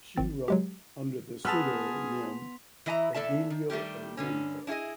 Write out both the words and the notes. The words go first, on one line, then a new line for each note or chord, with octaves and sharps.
She wrote under the pseudonym "Evelio El Monte".
G#1 D#3 C4 A6
F#3 G#3 G4
B3 G#4 A5 C6 E6 F6 B6 F7
E3 E4 D#5 G#5 A#5
E2 A3 A4 D5 E5 A5
D#3
D#3 G3 A3 C#4 G4
G2 D3 C#4
D4 E4 F4 G#4 D#5